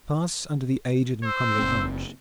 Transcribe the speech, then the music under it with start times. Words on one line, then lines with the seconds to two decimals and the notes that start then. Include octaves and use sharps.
Pass under the aged and crumbling arch.
1.24 C5 E6
1.58 F#1 C4